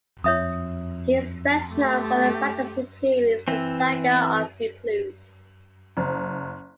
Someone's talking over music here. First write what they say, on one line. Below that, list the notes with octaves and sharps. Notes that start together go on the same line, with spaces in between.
He is best known for the fantasy series "The Saga of Recluce".
F2 C#5 E5 D#6
A3 G4
E3 C4
F#1